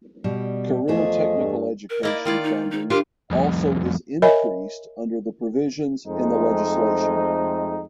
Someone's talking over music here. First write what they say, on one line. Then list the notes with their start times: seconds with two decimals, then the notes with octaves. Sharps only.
Career technical education funding also is increased under the provisions in the legislation.
0.24 B2 G3
0.88 E2 F3 A3 G#4 D#5
1.37 G2
1.90 A#4
2.03 A#3 E4 D5 D#5
2.25 D#3 E4 F4 D5
2.44 D#4
2.71 D#4
2.90 D4 F4 G4 A#4
3.31 C2 F2
4.22 A#4 C#5 D#5 E5 G#5 B5
6.07 F2 G#3 A3 C4 D#4